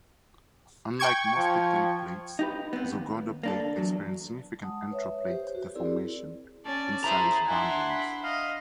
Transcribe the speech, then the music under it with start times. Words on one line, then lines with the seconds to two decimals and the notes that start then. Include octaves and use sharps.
Unlike most tectonic plates, the Gorda Plate experiences significant intraplate deformation inside its boundaries.
0.99 G5 C#6 G#6
1.37 F3
2.39 D#4 G4 B4
2.73 B3 C4
2.93 D#2
3.43 A#3 D4 A4
3.77 E2 F#3
4.63 G#3 F#5 A5 D#6
4.91 B4 C#5 E5
5.29 G4 C5
5.55 F#4
5.74 C4 E4 G#4 A#4 D5
6.66 C#4 D5 A5
7.04 E4 G#4 C5 A#5
7.47 D4 E4 F#5 G#5 C6
7.89 B5
8.23 D#5 F5